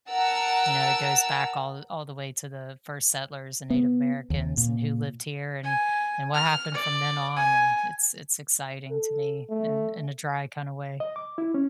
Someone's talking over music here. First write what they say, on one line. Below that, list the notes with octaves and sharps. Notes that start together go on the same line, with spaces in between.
you know, it goes back all all the way to the first settlers and Native Americans and who lived here and and what happened from then on, and it's it's exciting to me in in a dry kinda way.
A#4 F#5 A5 E6
B3
D#2
A#2
G#5
F6
D5
G#5
A4
A3
D#5
D6
E4
C#4